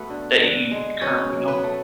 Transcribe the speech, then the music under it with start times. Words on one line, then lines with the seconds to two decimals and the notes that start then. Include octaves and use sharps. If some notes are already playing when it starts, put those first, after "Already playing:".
that you currently don't.
Already playing: A3 B3 F#4 A4 B4
0.10 D3
0.40 D3
0.71 G#3
1.01 B2 C#4 C#5
1.33 F#3
1.48 B3 B4
1.63 A3